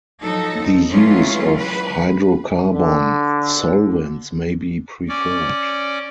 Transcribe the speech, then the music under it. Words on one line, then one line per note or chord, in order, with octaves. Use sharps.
The use of hydrocarbon solvents may be preferred.
F3 F#3 D#4 A4
E3 F#3 G#3 A3 C#4 F4
B4
D3
C#4 D5